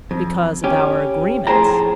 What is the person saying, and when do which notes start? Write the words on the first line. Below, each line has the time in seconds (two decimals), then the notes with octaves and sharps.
"Because of our agreement."
0.11 F2
0.64 C#4 G4
1.47 F2 A2 G#4 C5 G5 A#5